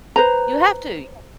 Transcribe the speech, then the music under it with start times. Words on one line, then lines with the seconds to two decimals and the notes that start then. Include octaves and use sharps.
You have to.
0.16 B4 C5 A#5